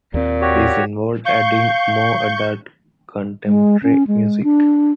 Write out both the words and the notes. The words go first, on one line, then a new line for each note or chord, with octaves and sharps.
This involved adding more adult contemporary music.
D#2 A#2 C4
F#4 G4 C#5
F5 C#6 G6
G#3
C#4
G#3
D4